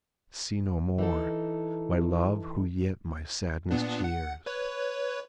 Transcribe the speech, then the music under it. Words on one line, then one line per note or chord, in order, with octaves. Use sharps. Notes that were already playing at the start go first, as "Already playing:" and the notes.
I see no more My Love, who yet my sadness cheers.
E3 D#4 A4
A#2 B3 D4
F#5
B4 C#5